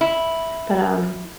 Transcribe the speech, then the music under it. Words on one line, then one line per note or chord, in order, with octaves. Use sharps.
but, um,
E4